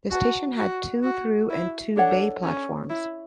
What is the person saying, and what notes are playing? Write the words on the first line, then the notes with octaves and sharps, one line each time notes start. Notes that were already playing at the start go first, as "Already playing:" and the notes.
The station had two through and two bay platforms.
F#4 B4 D5 A5
F#4
F#4
E4
D4 A4 C#5 F#5
C#4
E4